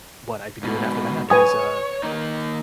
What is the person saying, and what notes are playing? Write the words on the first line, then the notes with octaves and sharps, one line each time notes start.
What I'd be doing after that is, uh
G#2 B2
B4 C#5 G#5 D#6
D#3 A#3 D#4